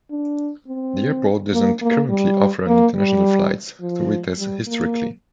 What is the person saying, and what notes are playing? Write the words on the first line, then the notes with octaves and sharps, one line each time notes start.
The airport does not currently offer any international flights, though it has historically.
D4
C4
A#3
A#3
G3
A#3
G3
F3
G3
A#3